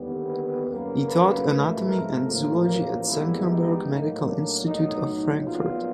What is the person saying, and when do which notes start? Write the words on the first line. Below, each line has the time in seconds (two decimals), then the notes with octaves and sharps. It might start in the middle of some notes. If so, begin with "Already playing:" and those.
He taught anatomy and zoology at the Senckenberg Medical Institute of Frankfurt.
Already playing: D#2 D3 G3 B3
0.26 B4
0.66 F#2 C#3 F#3 A#3
1.06 B4
1.46 A1 G#2 F3 A3
1.86 A#4
2.26 A1 A2 F3 A#3
2.66 A#4
3.06 G#1 G#2 E3 G3 B3 E4
3.46 D#4
3.86 A2 F#3 A#3
4.25 D4
4.65 B1 A2 F#3 A3 D#4
5.45 A#1 A#2 F#3 B3 F4